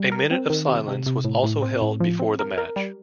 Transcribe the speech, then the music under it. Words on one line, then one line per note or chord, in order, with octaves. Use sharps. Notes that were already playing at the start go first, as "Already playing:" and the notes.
A minute of silence was also held before the match.
Already playing: G3
A#4
C4
D#3
C3
C3
C3
A2
A2
C4
A2
F3
C4
A#4
A#4
G3